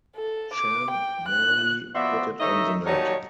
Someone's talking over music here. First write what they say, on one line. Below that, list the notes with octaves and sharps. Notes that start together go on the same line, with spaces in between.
Chan merely put it on the net.
A4
D6
G5
F#6
F3 B3 F#4 C5 D5 E5
A3 D#4 C#5 D#5 E5
A#2 F#3 G3 D#4 A4 C#5